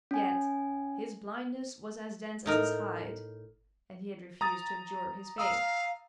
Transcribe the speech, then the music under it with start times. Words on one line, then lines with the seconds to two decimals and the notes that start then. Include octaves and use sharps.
Yet "his blindness was as dense as his hide," and he had refused to abjure his faith.
0.11 C#4 G#5
2.46 A2 D#4 A#4
4.41 A#5 D#6 A6
5.38 F5 A#5 D#6 E6